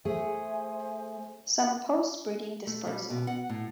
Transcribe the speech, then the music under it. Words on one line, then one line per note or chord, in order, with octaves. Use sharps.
Some post-breeding dispersal.
A3 G#4 C5 E5 G#5
A3
G3
B2
F#5
A2